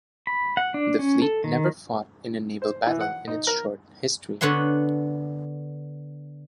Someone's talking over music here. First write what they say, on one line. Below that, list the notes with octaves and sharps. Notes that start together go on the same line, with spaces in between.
The fleet never fought in a naval battle in its short history.
B5
F#5
D4
C#4
A4
D#3
C5
E3
F#5
D#4
A#4
D3 B3 C#5 F#5 C6